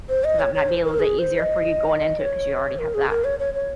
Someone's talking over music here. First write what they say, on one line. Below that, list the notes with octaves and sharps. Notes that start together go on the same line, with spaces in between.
So that might be a little bit easier for you going into it 'cause you already have that
C5
D#5
C#5
C#5
C5
A#4
G#4
C5
D#5
C#5
A#4
G#4
A#4
C#5
C#5
C#5